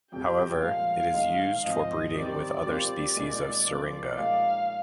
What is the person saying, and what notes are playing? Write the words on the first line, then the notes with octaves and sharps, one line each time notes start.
However, it is used for breeding with other species of "Syringa".
F2 C3 G3 G5
A#2 F3 G#3 F5
D#3 G#3 D#4
G#2 F3 C4 D#5
D#3 G3 C4 D5
G3 C4 F4 A#4
A#2 G#3 C4 D#4
F3 C4 F4 A#4
A#2 G#3 D#4 F5